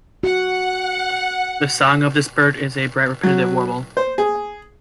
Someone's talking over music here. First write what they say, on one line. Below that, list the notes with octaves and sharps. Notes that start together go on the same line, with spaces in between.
The song of this bird is a bright repetitive warble.
F#4 F#5
F#3
C5
G#4